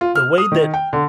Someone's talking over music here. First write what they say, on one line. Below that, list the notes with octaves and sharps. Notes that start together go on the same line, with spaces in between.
the way that
F4
F6
D#6
D#3
G5
D3